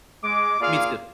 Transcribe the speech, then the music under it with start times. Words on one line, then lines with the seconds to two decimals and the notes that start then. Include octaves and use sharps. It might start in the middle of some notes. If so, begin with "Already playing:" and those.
Me too.
0.24 G#3 D6
0.60 A#3 F4 G#4 D5 F5